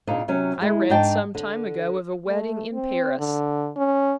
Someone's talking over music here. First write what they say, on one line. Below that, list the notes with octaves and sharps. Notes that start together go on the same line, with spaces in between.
I read some time ago of a wedding in Paris.
A#2 C#3 D4 D#4
C3 F#3 C#4
D2 G#3 E4
G#2 D4 D#4 G5 A5
D3
A3
C4
D3
C#4